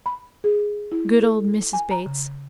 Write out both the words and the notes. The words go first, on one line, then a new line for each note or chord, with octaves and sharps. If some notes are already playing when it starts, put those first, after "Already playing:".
Good old Mrs. Bates.
B5
G#4
E4
A4
G#5
A#5
C#3